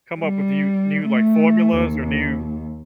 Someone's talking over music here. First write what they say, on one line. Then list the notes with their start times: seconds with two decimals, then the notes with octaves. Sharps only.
come up with you new like formulas or new
0.21 G3
1.06 A3
1.76 D#2